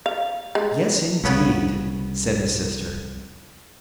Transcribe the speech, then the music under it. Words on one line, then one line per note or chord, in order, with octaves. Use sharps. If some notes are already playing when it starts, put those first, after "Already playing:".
"Yes, indeed!" said his sister.
F5
G#3
C2 C#3 B3 C#4